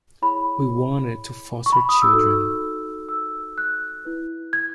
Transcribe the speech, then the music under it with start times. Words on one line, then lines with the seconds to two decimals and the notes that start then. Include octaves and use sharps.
We wanted to foster children.
0.22 E4 G#4 C#5 B5
1.66 C#6
1.72 B5
1.77 C#6
1.89 D#6
2.02 E6
2.13 D#4 F#4 A4
3.09 E6
3.58 F#6
4.05 E4 B4
4.53 G#6